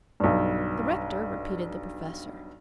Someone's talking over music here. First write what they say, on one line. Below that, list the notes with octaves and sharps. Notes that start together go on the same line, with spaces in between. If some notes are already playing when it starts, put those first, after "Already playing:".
"The rector," repeated the Professor.
B1 G2